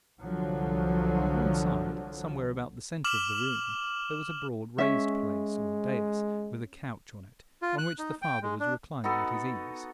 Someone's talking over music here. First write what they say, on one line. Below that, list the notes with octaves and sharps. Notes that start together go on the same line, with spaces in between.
At one side, somewhere about the center of the room, there was a broad raised place, or dais, with a couch on it, on which the father was reclining at his ease.
C2 D3 F3 F#3
D6 F6 E7 F#7
G#3 C#4 E5
F4
F#6
D#4
G5
G#3
D4
B3 D#4 F#4 A4